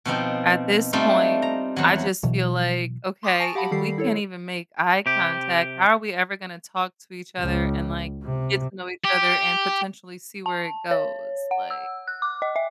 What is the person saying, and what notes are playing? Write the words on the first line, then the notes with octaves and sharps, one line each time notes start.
at this point, I just feel like, okay, "If we can't even make eye contact, how are we ever gonna talk to each other and, like, get to know each other and potentially see where it goes?" Like
B2 F3 C4 D#4
G3 A3 C4 D4 D#4 F4
A#5
E2 F#3
B2 E3 F#3
C6 D6 D#6 A6
G#5 A5 C#6 A#6 D7
G4 F5 F#5 A5 B5
D#3 G3 G4 A4 C7
E4 A4 C#5
C3 G4
C#2
C3
G4
A5
C#5
F#5
E6
F#6
D6
D#5
E5